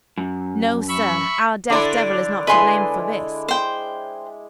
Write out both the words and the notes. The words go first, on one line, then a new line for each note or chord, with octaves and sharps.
No, sir; our deaf-devil is not to blame for this.
F#2
E5 B5 C#6
D3 D4 E4 D5 C6
G#3 E4 B4 G#5 C6
C5 G5